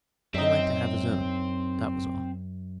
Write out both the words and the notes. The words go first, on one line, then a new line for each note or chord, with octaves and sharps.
He liked to have his own,--that was all.
F#2 C4 D#4 E5